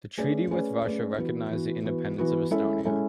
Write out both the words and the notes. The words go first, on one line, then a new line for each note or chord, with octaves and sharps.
The treaty with Russia recognized the independence of Estonia.
A3 C#4 G#4 B4 D5
A3 C#4 G#4 B4 D5
A3 C#4 G#4 B4 D5
E3 B3 F#4
E3 B3 F#4
E3 B3 F#4
E3 B3 F#4
G#3 C#4 E4 A4
G#3 C#4 E4 A4